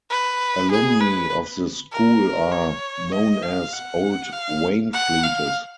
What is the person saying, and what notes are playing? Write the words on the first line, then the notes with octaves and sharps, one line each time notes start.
Alumni of the school are known as "Old Waynfletes".
B4
G#4
B4
A#4
C#5
D#5
F5
F#5
F5
F#5
F5